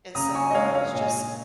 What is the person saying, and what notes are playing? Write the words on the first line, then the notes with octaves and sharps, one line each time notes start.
and so I was just
C#3 A#5 D#6
G#5 C#6
D#5
G#3 C#5 F5
C#5 F5
A#2 D#5 G#5